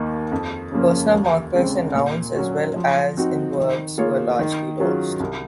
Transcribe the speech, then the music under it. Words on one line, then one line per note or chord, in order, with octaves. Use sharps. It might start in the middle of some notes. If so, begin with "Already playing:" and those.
Personal markers in nouns as well as in verbs were largely lost.
Already playing: D#2 D#3 A#3 D#4
F2
C#3 F3 A#3 C#4
D#2
C#3 G#3 C4
A#2
F#3 C#4 F#4
F3
C4 D#4 F#4
D#3
A#3 F4 G#4 C#5
D#3
F#3 C#4 F4 G#4
C2